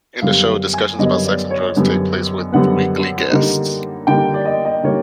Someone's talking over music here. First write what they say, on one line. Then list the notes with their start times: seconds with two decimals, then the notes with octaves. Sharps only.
In the show, discussions about sex and drugs take place with weekly guests.
0.22 F#2 D3 G3 B3 F5
0.74 G#5
0.99 F#2 D3 G3 B3 D#5
1.25 D5
1.51 C#5
1.76 F#2 D3 G3 B3
2.52 F#2 D3 G3 B3 F#5
3.30 D3 G3 A#3 D#4
4.07 D3 G3 A#3 D#4 G5
4.34 D5
4.45 D#5
4.65 D#5
4.83 D3 G3 A#3 D#4 C#5